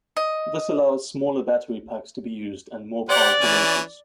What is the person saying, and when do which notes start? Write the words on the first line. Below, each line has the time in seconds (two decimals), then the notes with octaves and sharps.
This allows smaller battery packs to be used, and more powerful motors.
0.17 D#5
3.09 G4 C5 D5 F#5
3.40 E3 C#4